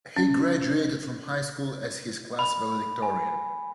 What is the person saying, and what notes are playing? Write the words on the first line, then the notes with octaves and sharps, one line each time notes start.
He graduated from high school as his class valedictorian.
C#4
B5
G#5